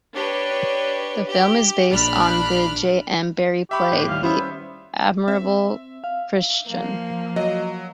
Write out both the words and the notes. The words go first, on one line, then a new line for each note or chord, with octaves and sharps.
The film is based on the J. M. Barrie play "The Admirable Crichton".
D4 G4 B4 C#5
G4
A#1 D4 B5 F6 F#6
G4 E5 B5 C#6
A2
D#2 G3 F5
G3 B3 C#4 E4 C5 E5
C4 E5
F5
F3 A#3
F#3 D#5